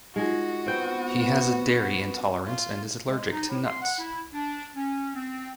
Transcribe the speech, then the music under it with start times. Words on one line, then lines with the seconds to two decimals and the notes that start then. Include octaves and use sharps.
He has a dairy intolerance and is allergic to nuts.
0.16 G#3 D#4 F4 F#4 G#4
0.66 B3 C4 G5
2.47 F4
3.07 G#3
3.31 D#4
3.48 A2
3.65 C6
3.82 F#5
3.98 E4
4.33 D4
4.75 C#4
5.15 C4